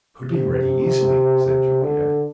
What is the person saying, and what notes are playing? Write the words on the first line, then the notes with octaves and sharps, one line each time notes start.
"I could be ready, easily," said Juliet.
C3
C3
D3